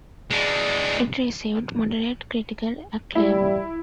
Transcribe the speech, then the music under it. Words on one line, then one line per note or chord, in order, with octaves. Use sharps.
It received moderate critical acclaim.
G#3 D4
G3 E4